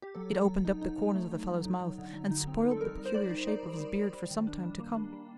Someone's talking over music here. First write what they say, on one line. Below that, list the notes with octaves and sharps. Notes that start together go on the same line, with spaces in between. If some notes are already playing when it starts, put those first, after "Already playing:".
It opened up the corners of the fellow's mouth, and spoilt the peculiar shape of his beard for some time to come.
G4
F#3 A4
F#3
F#3
D#4
D#4
F#3
A3
D#4
F#3
D#4
F#3
D3
F#3
D#4
C4
D#4
A4
G3 A#4
G3
C5
G3 D5
D#4
D#4 D5
G3
G3
G3
G3
D#3
D4
G3
A#3
D4
G3